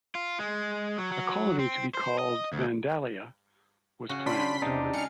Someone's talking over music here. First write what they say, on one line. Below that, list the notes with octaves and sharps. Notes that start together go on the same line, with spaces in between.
A colony to be called "Vandalia" was planned.
F4
G#3
F#3
F#3
C4
C5
D#5
D2
C#3 F#4
D4 B5 C6 B6
E2 C3 D4 D#4 G4
G#3 F4 F6 C#7